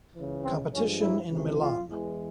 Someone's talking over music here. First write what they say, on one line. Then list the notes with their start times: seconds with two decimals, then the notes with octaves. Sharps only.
Competition in Milan.
0.16 C#2 C#3 E3
0.44 C4
0.73 G2 F3 G#3 C#4
1.01 E4
1.30 C#2 C3 E3
1.58 F4
1.87 E2 E3 G#3